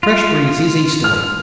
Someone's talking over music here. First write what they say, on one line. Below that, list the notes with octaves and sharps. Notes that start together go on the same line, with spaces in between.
Fresh breezes easterly.
F4
F6